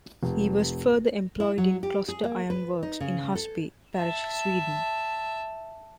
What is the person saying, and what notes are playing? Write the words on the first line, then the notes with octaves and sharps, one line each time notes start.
He was further employed in Kloster Iron works in Husby parish, Sweden.
F1
E4
F#3
G4
G#4
A#3
B4
D#4
C#3
A4
E5 A5